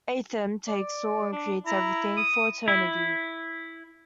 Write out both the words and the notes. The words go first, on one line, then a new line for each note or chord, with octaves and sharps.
Athum takes all and creates everything, for eternity.
D5
D4
E4 A#5
D#6
E4